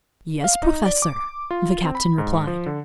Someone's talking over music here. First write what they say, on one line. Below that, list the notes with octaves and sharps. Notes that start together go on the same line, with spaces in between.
"Yes, professor," the captain replied.
F5
D#4
D5
D6
F4
C4
B5
G#2
F3
D3